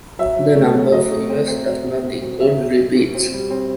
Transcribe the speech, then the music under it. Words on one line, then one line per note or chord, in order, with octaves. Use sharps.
The number of viewers does not include repeats.
F#3 E5
F#3
A3
F#3
F#3 D#5
A3
C4
C4
F#3
B2
B2
C4
F#3 E5
B2
F#3
B2
C4
G3
C4